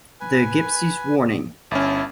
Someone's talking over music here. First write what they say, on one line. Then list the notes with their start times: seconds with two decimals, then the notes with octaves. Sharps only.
"The Gypsy's Warning".
0.20 B4 G#5
1.71 G1 C#4 E4 A5